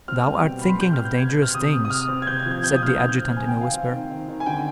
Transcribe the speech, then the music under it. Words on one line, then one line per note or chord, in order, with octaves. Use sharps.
"Thou art thinking of dangerous things," said the adjutant, in a whisper.
C4 F6
G3
B2 G5
C4 B5
C6
C4 G6
F6
B2
G6
C4 G#6
G6
C4
F6
C3 D#6
C3
D#6
C3 F6
C4
G#6
C3 G6
G#6
F3
G#6
C3 G6
D#6
C4 F6
G6
D#3 G#6
G6
C4 F6
C4 G#5
G5
C4
F5
C4
D#3
D#3
D#3
G#5
D3 G5